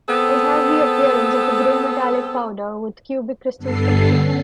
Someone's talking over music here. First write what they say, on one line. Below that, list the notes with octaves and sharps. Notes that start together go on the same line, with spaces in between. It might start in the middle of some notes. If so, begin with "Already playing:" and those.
It has the appearance of a gray metallic powder with cubic crystal structure.
B3 C4 G#4 A4
G2 D3 B3 A4 C7
C#4